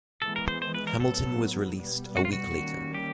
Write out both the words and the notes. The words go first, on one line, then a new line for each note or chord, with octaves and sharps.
Hamilton was released a week later.
E3 G#3 B3 A4
A#4
C5
C5
B4
A#4
A2 F#3 B3 A4
B2 G3 B3
F#4
F4
F#4
D#3 G3 A#3 C#4
G4